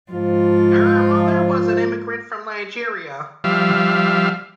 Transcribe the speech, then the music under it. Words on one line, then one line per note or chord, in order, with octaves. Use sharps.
Her mother was an immigrant from Nigeria.
G#2 F3 F4
F3 G3 E5 F5